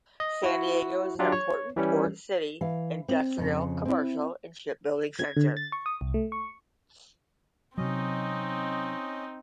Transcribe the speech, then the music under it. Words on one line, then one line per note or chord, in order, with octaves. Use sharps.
San Diego is an important port city, industrial, commercial, and shipbuilding center.
D#5
E4 F#4
F#3 D4 F4 G4
C#5
E3 G3 C#4
E3 F5
C4
F2 C#3
C4 E4
G#6
D3
A6
C#6
D#6
C2
A3
C#6
C3 F#3 C4 C#4 D#4 D#5